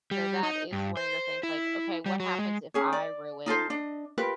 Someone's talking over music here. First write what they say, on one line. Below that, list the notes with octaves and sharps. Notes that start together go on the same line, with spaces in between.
So that is one of your things, like, "Okay, what happens if I ruin"
G3
D#4
G2
C5
E4
G3
F#3
G#3
C#4 G#4 C#5
D5
D#4 F4 A4 C5
D4 D#5
F4 G4 A#4 B4